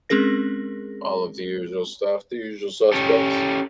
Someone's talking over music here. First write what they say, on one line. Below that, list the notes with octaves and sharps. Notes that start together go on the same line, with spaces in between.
All of the usual stuff the usual suspects.
G#3 C4 C#4 G#4 A#4 A#6
C#4 G4 A4